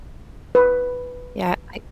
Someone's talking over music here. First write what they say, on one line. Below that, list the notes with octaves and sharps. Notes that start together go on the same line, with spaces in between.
Yeah. I
B4